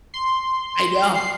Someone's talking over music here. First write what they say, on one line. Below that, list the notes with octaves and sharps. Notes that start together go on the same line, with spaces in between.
I know.
C6
C7